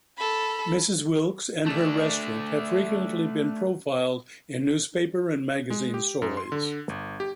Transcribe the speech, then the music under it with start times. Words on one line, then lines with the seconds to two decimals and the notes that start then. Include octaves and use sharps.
Mrs. Wilkes and her restaurant have frequently been profiled in newspaper and magazine stories.
0.18 A4 B5
1.66 A3 D4
5.70 G#3
5.94 G4
6.22 F#2
6.37 C6
6.52 D3
6.89 G1
7.20 G4